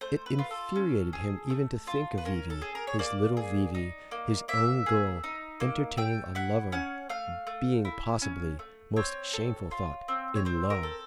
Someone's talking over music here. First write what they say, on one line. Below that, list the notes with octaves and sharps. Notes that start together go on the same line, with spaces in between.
It infuriated him even to think of V.V., his little V.V., his own girl, entertaining a lover, being possibly--most shameful thought--IN LOVE!
A3 C5
B4
F4
A4
C#4
G#4
A3
F4
B4
C#4 A#4
A4
G#4
A#4
C#5
A#3 D5
G#4
D#4
A#3
A#3 E5
G#4
D#4
A#3
A3 G5
E4 F#5
C#4 F#5
A3 F5
A3
E4
C#4
A3
C4 C#5
A4
F4
C4
C#5
C4 C5
A#4
A4